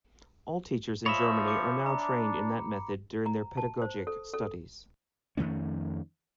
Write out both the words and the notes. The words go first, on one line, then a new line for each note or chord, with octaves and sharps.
All teachers in Germany are now trained in that method during their pedagogic studies.
F3 C#5 D#5 E5 B5
D6 C#7
D4 A#5
A#5
A5
C5
A4
A4
F2 D#3 A3 C#4